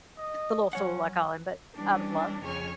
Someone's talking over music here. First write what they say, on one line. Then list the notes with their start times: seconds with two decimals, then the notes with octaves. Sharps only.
the little fool I call him, but out of love.
0.19 D#5
0.73 F#3 C#4 C#5 F#5
1.74 E3 G3 C#4 D4
2.43 F2 C#3 C#5 G#5 C#6 F6